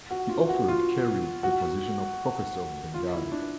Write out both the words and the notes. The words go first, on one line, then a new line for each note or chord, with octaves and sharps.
He offered Carey the position of professor of Bengali.
F#4
F4
F#4
F4
F#4
F4
E4
D4